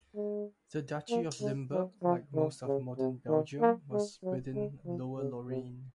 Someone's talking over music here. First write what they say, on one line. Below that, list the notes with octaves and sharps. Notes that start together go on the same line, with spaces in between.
The Duchy of Limburg, like most of modern Belgium, was within Lower Lorraine.
G#3
A#3
G#3
F#3
F3
D#3
C#3
C3
D#3
A#3
G#3
F#3
G#3
F3
C#3
C3